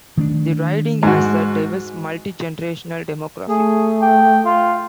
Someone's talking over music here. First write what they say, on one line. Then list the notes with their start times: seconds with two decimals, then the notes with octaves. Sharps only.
The riding has a diverse, multi-generational demographic.
0.17 D#3 A3 D4
1.03 G#2 F#4
3.49 A3 G#4
4.02 G5
4.45 F4